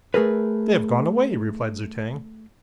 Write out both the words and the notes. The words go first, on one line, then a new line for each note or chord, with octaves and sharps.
"They have gone away," replied Zu-tag.
A3 G#4 A#4 B4